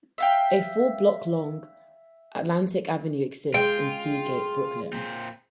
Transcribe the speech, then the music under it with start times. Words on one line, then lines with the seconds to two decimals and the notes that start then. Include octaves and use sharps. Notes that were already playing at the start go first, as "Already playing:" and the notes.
A four-block-long Atlantic Avenue exists in Sea Gate, Brooklyn.
0.18 E5 F5 G5
3.54 G#3 F4 G5
4.93 A#2 C4